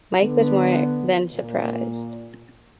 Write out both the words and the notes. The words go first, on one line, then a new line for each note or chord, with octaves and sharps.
Mike was more than surprised.
D3 B3
A#2